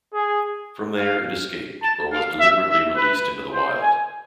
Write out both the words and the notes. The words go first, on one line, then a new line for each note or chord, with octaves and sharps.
From there, it escaped or was deliberately released into the wild.
G#4
F5
A5
F5
E5
E5
B4
C5
G#5